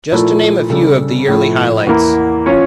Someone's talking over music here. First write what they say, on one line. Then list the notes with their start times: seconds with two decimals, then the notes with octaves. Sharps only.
Just to name a few of the yearly highlights.
0.12 A#2 F3 A3 E4 A#4
0.70 C#3 G3 D4 A4
1.28 A2 F3 A3 E4
1.86 E2 E3 A#3 E4
2.46 F3 C#4 F4 C#5